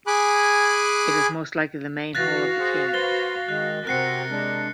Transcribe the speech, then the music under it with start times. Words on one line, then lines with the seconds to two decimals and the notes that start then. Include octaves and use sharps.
It was most likely the main hall of the kings.
0.07 G#4 G#5 B5 D6 F#6
2.15 E3 F#4 F5 F#6 A6 A#6
2.59 G#4 C5
2.94 B4 C5 A6 G7
3.49 D#3 G#3 F#6
3.87 C3 C4 F#4 A#4 F#6 C7 C#7
4.31 G#3 D4